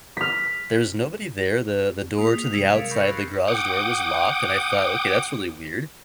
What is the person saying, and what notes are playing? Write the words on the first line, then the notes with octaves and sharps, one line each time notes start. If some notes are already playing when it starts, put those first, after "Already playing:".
There's nobody there, the the door to the outside, the garage door was locked, and I thought, "Okay, that's really weird."
F6 B6
A#3 F4 G#4 D#6 B6 C7 F7
F6 F7
C3 G3 G#3 E6 G#6 B6 E7
C3 F#3 G#3 A#4 F5 A6 C#7 D7
B5 C#6 G6 A#6 C7 C#7
E6 F#6 C7
F#5 G5 D6 D#6